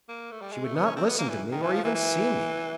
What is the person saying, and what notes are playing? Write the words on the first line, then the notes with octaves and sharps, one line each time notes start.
She would not listen to me, or even see me.
A#3
A3
G3
G#3
A3
B3
C#4
C4
B3
A#3
E3
D#3
E3
F3
E3
E3